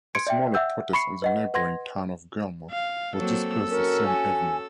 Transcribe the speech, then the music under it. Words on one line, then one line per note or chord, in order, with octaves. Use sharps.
A smaller protest in the neighboring town of Guelma was dispersed the same evening.
C6 G#6 C#7 D7
D5 E5 G5
E5 F#5 E6 G6
B5 C#6 C7 C#7
B4 D#5 F#5
B4 F#5 C6 G#6 A#6
F5
F#3 A#3 C4 A4 E6
C#4 F#4 A#4
G#5